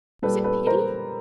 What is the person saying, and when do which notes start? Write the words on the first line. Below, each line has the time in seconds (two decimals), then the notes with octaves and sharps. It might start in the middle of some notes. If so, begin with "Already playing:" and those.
Was it pity?
0.22 A#2 G3 A4 B4
0.44 A4 B4
0.67 A#4 C5